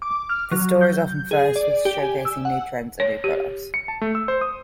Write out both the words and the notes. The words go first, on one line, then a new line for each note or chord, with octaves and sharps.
The store is often first with showcasing new trends and new products.
D6
F6
F#3
G6
G#4
D5
G4
G#5
E6
F#5
C#5
G4
C#7
A5
A3
E6
C5
D#6